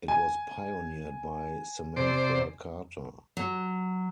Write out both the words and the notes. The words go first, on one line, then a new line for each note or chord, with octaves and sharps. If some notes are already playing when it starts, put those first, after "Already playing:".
It was pioneered by Samantha Carter.
G#5
C3 C5 D5
F#3